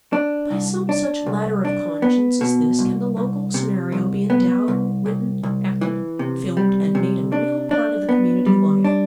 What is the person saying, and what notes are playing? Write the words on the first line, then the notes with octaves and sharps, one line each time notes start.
By some such ladder of conscience as this can the local scenario be endowed, written, acted, filmed, and made a real part of the community life.
D4
C2
D4
C2
D4
B3
B2
C2
C2
C3
C2
B3
C2
C2
C2
E3
C3
G3
C3
D4
D4
B3
G3
D4